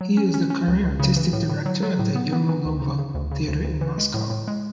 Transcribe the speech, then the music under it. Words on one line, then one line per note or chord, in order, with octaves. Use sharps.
He is the current artistic director of the Yermolova Theatre in Moscow.
F#3
C#4
C#4
C#4
C#2
C#2
C#3
E3
A2
A2
F#3
F#3
A2
B3
B3
E3
D2
C#3
C#3
D2
C#3
D2
D2
E3
G#3
A2
A2
G#3